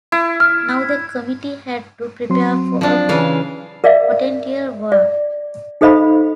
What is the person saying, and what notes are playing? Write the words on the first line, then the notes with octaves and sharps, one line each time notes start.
Now, the committee had to prepare for a potential war.
E4
F6
F#3 C4 C6
F3 D4
C#3 E3 F5
A#4 D5 E5 F5
D5
D#4 A4 C5 D#5 F5 B5